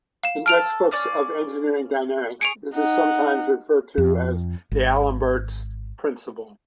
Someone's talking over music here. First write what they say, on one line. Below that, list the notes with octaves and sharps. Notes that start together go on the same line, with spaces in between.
In textbooks of engineering dynamics this is sometimes referred to as "d'Alembert's principle".
F5 E7
A4 F6 D7 F7
C#4 D5 F5
G#4 C#6 C#7 D7 F7
D#4 F#5
F2
G#1